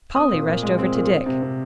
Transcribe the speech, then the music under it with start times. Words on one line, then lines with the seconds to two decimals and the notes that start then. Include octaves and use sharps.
Polly rushed over to Dick.
0.16 C4 D#6
0.32 A#2
0.48 A#2
0.63 G#3
0.79 C4
0.95 A#2
1.11 C4
1.26 C3
1.42 C3